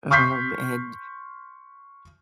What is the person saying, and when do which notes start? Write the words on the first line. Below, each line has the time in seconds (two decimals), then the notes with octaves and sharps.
uh-huh um, and
0.10 C6 C#6 F6 G6 B6 C7